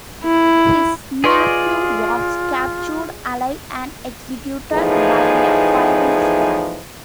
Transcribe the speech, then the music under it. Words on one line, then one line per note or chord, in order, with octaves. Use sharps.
His nephew was captured alive and executed by a firing squad.
E4
F4 G#4 B4 D5 D#5 C6 C#6
E2 A2 E3 F3 D#4 G#4